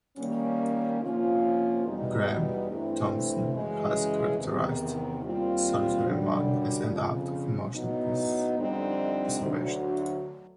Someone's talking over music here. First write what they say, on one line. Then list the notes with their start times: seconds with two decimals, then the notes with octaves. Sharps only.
Graeme Thomson has characterized "Solitary Man" as an act of emotional preservation.
0.17 D#3 G3 A#3 C#4
1.02 C3 F3 A#3 C#4 F4
1.86 E2 B2 G3 B3 D#4
2.70 G2 E3 A3 C4 E4
3.54 F#2 C#3 E3 G#3
4.38 E2 C3 D#3
5.23 D#2 D#3 G3 C4 F4
6.06 F#2 D3 G3
6.90 F2 C#3 F3
7.74 A2 F#3 B3 D#4
8.58 F2 D3 G3 C4 D#4
9.42 D2 D3 F#3